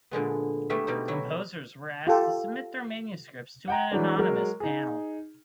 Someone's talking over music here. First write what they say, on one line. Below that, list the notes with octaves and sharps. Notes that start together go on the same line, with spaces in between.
Composers were asked to submit their manuscripts to an anonymous panel.
A#2 D3 G#3 B3
G3 A3 B3 E4 E5
B2 G3 C4 D#4
F#3 E4
F4 G4 A4
F#5 G5 A#5
E3 F#3 G#3 D4
F#3 G#3 A#4
D#4 G#4